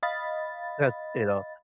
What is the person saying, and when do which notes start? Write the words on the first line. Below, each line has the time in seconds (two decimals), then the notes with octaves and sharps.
That's, you know
0.03 D#5 F5 B5 A6